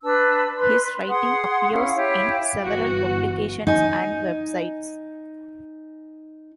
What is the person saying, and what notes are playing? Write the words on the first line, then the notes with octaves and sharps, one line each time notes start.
His writing appears in several publications and websites.
D4 B4 A5 E6
B4 C6
G#4 F#5 C6 D#6
C#4 E4 F5 F#5
E4 G4 C#5 F5
G1 E3 F#4
D#4 G#5